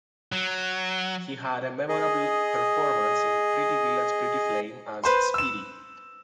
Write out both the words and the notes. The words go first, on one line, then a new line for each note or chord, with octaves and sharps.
He had a memorable performance in "Pretty Village, Pretty Flame" as Speedy.
F#3
G#4 D#5
B4 C5 C6
E6 E7